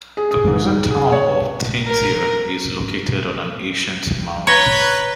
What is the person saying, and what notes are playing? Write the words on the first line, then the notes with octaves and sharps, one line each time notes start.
The present town of Thanesar is located on an ancient mound.
G#4
G#4
G#2
G#4
C#5
A#4
B4 C#5 A#5 A#6 G7